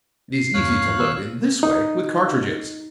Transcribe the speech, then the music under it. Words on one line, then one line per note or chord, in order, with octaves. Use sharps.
It is easy to load in this way with cartridges.
C7
E2 G2 A#3 C#5 F5 F#6
E2 G#2 C4
A#2 D#3 B3 E6
D#4